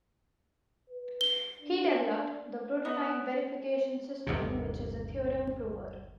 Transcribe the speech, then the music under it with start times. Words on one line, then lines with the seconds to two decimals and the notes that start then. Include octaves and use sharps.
He developed the Prototype Verification System, which is a theorem prover.
0.90 B4
1.21 G7
1.62 D4
2.85 B3
4.27 G1 D#2 C3